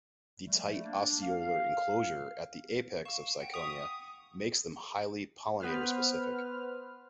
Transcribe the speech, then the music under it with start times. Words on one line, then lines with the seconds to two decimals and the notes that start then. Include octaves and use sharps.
The tight ostiolar enclosure at the apex of syconia makes them highly pollinator-specific.
0.44 F3 G3 A3
0.83 A#3 D4
1.22 F5
3.05 F5 C#6 E7
3.41 F#5 G5
3.54 C#6 D#6 B6 F7
5.60 B3 B4 C5 F6